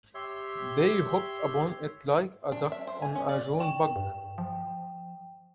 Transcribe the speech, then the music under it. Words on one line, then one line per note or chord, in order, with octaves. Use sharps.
They hopped upon it like a duck on a June bug.
G4 C#5 E5 C6
D4
E5
C5
G#5
C#4
D5
G5
G2
F3